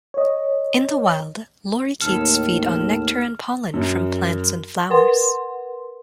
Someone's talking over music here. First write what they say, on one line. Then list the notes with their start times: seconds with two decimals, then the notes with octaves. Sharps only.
In the wild, lorikeets feed on nectar and pollen from plants and flowers.
0.14 C#5 D#5
2.01 D#2 A2 A4 F6
3.73 F#2
4.90 A#4 B4 F#5 C6